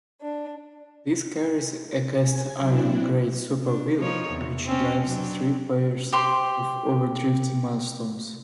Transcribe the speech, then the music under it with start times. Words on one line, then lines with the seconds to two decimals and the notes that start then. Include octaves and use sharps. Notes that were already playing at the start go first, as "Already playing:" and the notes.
This carries a cast-iron Great Spur Wheel which drives three pairs of overdrift millstones.
0.22 D4
2.19 G#5
2.59 F#3 C4 D4 E4
3.64 D4
3.99 F3 D#4 C#5
4.31 E2
4.66 C4 C#4
5.03 F#3 C4 D4
6.12 G4 C5 C6